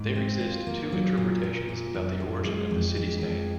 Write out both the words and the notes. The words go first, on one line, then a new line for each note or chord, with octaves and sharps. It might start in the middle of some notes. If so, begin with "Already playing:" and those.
There exist two interpretations about the origin of the city's name.
Already playing: G#2
C4
F4
A#3
F#3
A#2
A#2
A#2
F#2
F#2
G#3
F2
G#3
F2